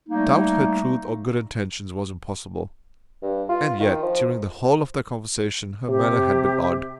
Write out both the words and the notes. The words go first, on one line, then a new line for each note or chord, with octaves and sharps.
To doubt her truth or good intentions was impossible; and yet, during the whole of their conversation her manner had been odd.
G3 A3 A#3 D#4
G2
F4
D#3
F3
C3 G4